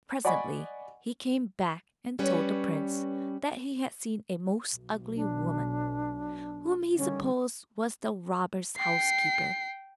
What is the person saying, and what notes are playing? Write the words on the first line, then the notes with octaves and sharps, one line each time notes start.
Presently he came back and told the prince that he had seen a most ugly woman, whom he supposed was the robbers' housekeeper.
D5 D#5 F#5 G#5 B5 C#6
G3 C#4 B4 C#5
B1
D4
D3 D#3 G3 C#4
G5 C7